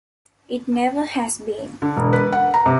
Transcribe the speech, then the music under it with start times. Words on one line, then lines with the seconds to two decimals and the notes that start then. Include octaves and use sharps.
It never has been.
1.82 D3
1.97 E1
2.13 B4
2.32 F#5
2.54 A#5
2.66 C3